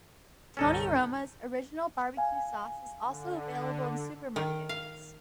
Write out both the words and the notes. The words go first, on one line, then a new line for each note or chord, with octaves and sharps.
Tony Roma's original barbecue sauce is also available in supermarkets.
C2 G2 B2 D3 C#4 D#4 A4 D#5
F5 G#5
D3
D#3
F5